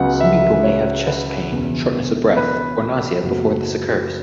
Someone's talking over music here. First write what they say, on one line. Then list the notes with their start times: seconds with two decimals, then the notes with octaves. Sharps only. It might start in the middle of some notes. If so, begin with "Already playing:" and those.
Some people may have chest pain, shortness of breath, or nausea before this occurs.
Already playing: C#2 C#3 F#3 B3 F#5
0.20 E5
0.63 C#5
1.07 B4
1.50 E1 E2 C#3
2.37 B4
3.22 F#1 F#2 F#3 B3